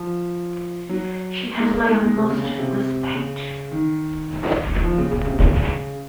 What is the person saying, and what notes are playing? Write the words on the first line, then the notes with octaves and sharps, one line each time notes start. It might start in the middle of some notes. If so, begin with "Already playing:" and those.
She has my utmost respect.
Already playing: F3
F#3
G#3
A#3
G#3
G#3
C3
C#3
C#3
C3
C#3
D#3
F3
C#3
C#3
C3
C#3